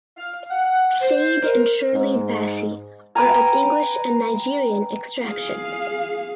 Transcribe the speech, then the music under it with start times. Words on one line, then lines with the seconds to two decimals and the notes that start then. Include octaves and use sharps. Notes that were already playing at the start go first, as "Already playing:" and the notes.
Sade and Shirley Bassey are of English and Nigerian extraction.
0.17 F5
0.51 F#5
1.01 C5
1.44 A#4
1.93 G#2
3.15 B4 G5 G#5 A#5
5.24 G#4 F5